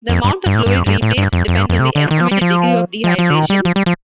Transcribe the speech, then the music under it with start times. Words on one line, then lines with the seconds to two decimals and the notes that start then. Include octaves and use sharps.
The amount of fluid replaced depends on the estimated degree of dehydration.
0.09 F2
0.24 G2
0.46 G2
0.55 A2
0.66 G2
0.76 F2
0.86 G2
1.02 A2
1.18 G2
1.33 F2
1.48 F2
1.58 G2
1.70 F2
1.80 C3
1.96 D3
2.11 D#3
2.21 F3
2.31 G3
2.41 F3
3.04 F3
3.19 F3
3.30 D3
3.35 D#3
3.50 G3
3.65 F3
3.76 G3
3.86 F3